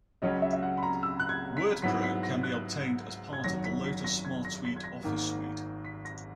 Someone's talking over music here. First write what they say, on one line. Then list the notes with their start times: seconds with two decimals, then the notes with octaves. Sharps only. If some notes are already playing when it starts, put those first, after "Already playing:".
Word Pro can be obtained as part of the Lotus SmartSuite office suite.
0.22 C#2 C#3 F#3 C#4 D#5
0.42 E5
0.53 E5
0.62 F#5
0.77 B5
0.83 A#5
1.03 E6
1.20 F#6
1.29 G#6
1.57 B6
1.82 G#2 F#3 B3 E4 B6
2.03 B6
2.23 A#6
2.43 F#6
3.33 G#6
3.44 G#1 F#2 D#3 F#3 A#6
3.64 B6
3.84 B6
4.04 A#6
4.25 G#6
4.45 A#6
4.65 B6
4.76 G#6
4.84 A#6
5.04 G#1 G#2 D#3 A#3
5.85 B6
6.05 A#6